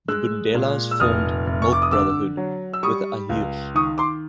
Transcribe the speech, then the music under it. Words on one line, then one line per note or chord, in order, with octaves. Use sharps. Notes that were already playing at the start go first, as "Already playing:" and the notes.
The Bundelas formed "milk brotherhood" with the Ahirs.
G#3 E6 F#6
A#2
E6
F1 D#6 F6
F1
C#6
D6
D#6
D3 D6 E6
F#3
E6
G3 C#6 D#6
C#2
D#3 C#6 D#6
C6 D6